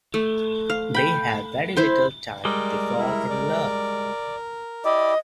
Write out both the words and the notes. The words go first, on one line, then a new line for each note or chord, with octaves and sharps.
They have very little time to fall in love.
A3
F5
G5 B5
E4 C5 C6
G3 G#3 A#4 D5
E4
D5
E4 G4 D5 D#5